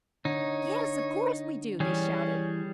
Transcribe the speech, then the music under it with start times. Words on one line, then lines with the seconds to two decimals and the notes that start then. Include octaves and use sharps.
"Yes, of course we do," they shouted.
0.25 D3 D#4 C#5
1.80 E3 G3 C#4 G#4